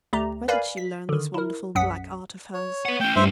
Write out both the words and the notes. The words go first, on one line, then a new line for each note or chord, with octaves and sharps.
"Where did she learn this wonderful black art of hers?"
D2 A3 G4 A#5
A#4 B4 D5 F5 G#5 B5
B6
D3 D#3
E4 A#4
B1 F#2 F#5 D#6 B6
C#5
B4 F#5
A3 C#4 G5
G2 C5 E5